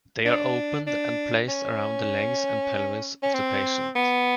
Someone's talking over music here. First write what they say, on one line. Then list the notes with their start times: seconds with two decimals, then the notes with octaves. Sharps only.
They are opened and placed around the legs and pelvis of the patient.
0.25 D4
0.87 D4
1.48 C#4
3.23 C#4
3.34 C4
3.95 B3